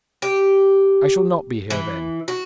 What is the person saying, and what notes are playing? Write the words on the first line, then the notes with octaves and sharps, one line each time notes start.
'I shall not be here then.'
G4
E3
F#4